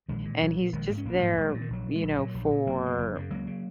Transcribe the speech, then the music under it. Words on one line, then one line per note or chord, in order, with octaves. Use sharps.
and he's just there, you know, for
A#1 D#3 G#3
A#2
A#1 F#3
A#2
A#1 D#3 G#3
G#2 A#3
C#4
A#1 A#3
C#4
G#2 F#3 A#3
A#1 G#3
A#2 F#3
D#3
A#1 F#3
A#2
G#3
A#1 F#3
A#2 F#3
A#1
A#2
F#1 F#3 A#3
F#2 C#3
F#1
F#2 C#3
C#2 F#3 A#3
C#3